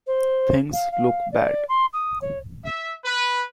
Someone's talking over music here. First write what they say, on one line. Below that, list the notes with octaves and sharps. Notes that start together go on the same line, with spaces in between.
Things look bad.
C5
F5
F5
D5
C6
D#6
C#5
E5
B4